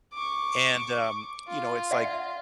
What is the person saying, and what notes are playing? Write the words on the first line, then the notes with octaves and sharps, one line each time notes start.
And, um, you know, it's, like,
C#6 D6
F4
D5 E5 F#5